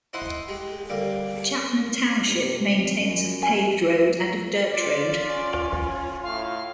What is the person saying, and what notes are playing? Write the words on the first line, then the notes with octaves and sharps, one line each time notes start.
Chapman Township maintains of paved road and of dirt road.
D#4 E4 C5 D#5 F#5 C6
G#3 G4
D3 G3 A#3
G2
C3
F#2
G#5
F4 D5
C#4
A2 F5